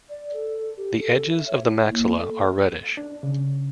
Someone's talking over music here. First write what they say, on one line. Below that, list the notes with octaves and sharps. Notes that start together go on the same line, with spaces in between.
The edges of the maxilla are reddish.
D5
A4
G4
A4
E5
C#5
E4
A#3
A4
D4
C#3